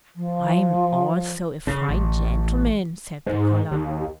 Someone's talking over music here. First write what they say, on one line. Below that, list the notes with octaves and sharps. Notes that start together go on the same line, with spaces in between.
"I am also a fine gentleman," said the collar.
F3
C#3
A1
G#2
D#2